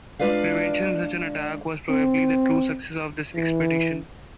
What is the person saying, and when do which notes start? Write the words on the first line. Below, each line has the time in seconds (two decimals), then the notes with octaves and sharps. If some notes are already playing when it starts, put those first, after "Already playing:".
Preventing such an attack was probably the true success of this expedition.
0.19 G#3 D4 F4 B4 D5 F5
1.90 C4
3.35 E3